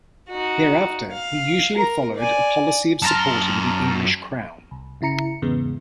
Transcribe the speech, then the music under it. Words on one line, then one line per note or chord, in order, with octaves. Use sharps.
Thereafter he usually followed a policy of supporting the English crown.
D#4 F#4
F5
A#4 A#5
D5 G#5
F#2 A5 A#5 C6 F6
C2
G1 C#3 E4 A#5 C#7
E2 G#2 C#3 G#3 B3